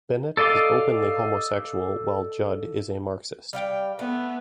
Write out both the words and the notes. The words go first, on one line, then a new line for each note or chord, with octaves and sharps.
Bennett is openly homosexual, while Judd is a Marxist.
A4 D5 D#5 F5 D6
G3 F5 G5
A3 B3